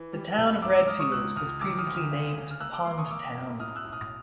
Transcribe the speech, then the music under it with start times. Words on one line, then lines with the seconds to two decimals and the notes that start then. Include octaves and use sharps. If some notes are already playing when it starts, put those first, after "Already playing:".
The town of Readfield was previously named Pond Town.
Already playing: E3
0.13 G3
0.38 C2
0.62 G#2 D6 E6
0.75 D6 E6
0.88 G#2 D#6 F6
1.00 C#6 D#6
1.12 C#2 E6 F#6
1.36 C#2 D#6 F6
1.61 D#3 D6 E6
1.78 D#6 F6
1.86 D2
1.95 D#6 F6
2.11 C#3
2.36 C#3
2.51 F6
2.60 A#3 E6 F#6
2.73 D6 E6
2.85 A#3 C6 D6
2.98 C#6 D#6
3.10 A#3 D6 E6
3.35 F#2
3.60 A2 D#6 F6
3.76 E6 F#6
3.85 B1
3.92 D#6 F6